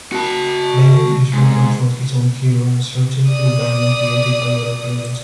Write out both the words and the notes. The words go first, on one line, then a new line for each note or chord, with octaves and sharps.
Player usually controls his own hero and searches through dungeon created by other players.
F#4 A5
G#2
D5 D#6